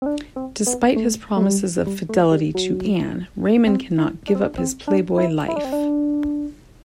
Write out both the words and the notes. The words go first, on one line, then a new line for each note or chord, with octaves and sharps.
Despite his promises of fidelity to Anne, Raymond cannot give up his playboy life.
C4
D4
C4
B3
A3
A3
G3
G3
A3
G3
F#3
C4
E4
D4
C4
D4
C4
D4
E4
E4
D4
C4
D4